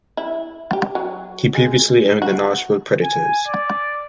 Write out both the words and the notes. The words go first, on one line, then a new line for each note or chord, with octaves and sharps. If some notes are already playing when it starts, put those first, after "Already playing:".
He previously owned the Nashville Predators.
E4
G4
F#3
G#3
F#4
G#5
D5